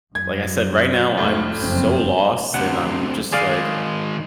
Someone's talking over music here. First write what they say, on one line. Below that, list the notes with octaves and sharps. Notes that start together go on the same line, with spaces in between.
like I said, right now, I'm so lost, and I'm just, like,
F#2 G#6
F1 A2
F#1 F2 C4
D2 C3 F#5
D#3 G#3 G#4 D5 F5